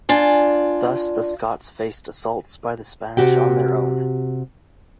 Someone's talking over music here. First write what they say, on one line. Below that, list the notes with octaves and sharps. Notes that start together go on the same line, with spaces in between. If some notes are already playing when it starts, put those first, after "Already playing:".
Thus, the Scots faced assaults by the Spanish on their own.
D4 F4 G#5
C3 F#4 G4 G5